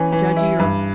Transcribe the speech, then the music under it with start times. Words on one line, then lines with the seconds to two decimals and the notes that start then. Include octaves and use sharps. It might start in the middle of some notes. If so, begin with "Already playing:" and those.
judgy or
Already playing: E3 C#4
0.12 E3
0.36 E4
0.60 G2